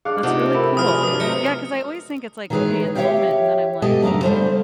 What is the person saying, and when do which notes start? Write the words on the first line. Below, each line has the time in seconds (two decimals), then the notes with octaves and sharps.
that's really cool yeah, 'cause I always think it's, like, okay in the moment, and then I'm, like,
0.05 D4 G#4 F5 D6 F#6
0.23 C3 A3 D4 D#4 F4 F#5 D6
0.55 E4 A#4 E5 B5
0.77 F3 F4 G#4 G#5 B5 D#6 F6
1.03 F3 F#3 D4 B4 D#6
1.20 F#3 A3 C4 D#5 E5 A#5 C#7
2.50 D#3 E3 G#3 G#4 B4 C#5
2.96 G4 C#5 D5 E5 F5 G5
3.82 B2 G#3 G4 A4 D#5 A5
4.02 F#2 C#3 A3 D4 A#5
4.23 D3 G3 F4 C5